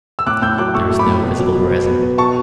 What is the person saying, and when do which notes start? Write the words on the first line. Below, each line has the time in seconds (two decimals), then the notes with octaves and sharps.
There is no visible horizon.
0.19 E6
0.27 A2 D6 F#6
0.42 A2 E6 G6
0.58 F#3 D6 F#6
0.74 A3 C#6 E6
0.90 A3
0.99 B5 D6
1.07 A2
1.23 B2
1.39 F#3
1.55 B2
1.70 B2
1.86 B3
2.02 B2
2.18 B2 A5 C#6